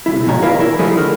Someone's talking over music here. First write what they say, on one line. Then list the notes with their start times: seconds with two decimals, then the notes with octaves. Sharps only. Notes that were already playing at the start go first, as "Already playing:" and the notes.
"Will you walk?"
0.06 C2 C#3 E4
0.26 F2 G#2 D#3 G#3 C#5 A#5
0.43 E4 A#4 B4 D5 F5
0.60 E4 A#4
0.79 D3 F3 G3 A3 E4 G#4
0.97 D3 D#3 A#4 C5